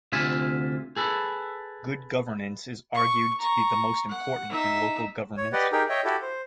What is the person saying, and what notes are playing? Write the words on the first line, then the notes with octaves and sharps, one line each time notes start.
Good Governance is argued to be the most important in local governments.
D2 C3 F4 E5 G#5
G#4 A4 B4
C#6
A#5 C#6
F#5
D#4 E5
C#5
G4 B4 D5 D#5 F#5
D#4 G4 G#4 A#4 G5
C#5 D#5 E5 G5
E4 F#4 G4 A4
C5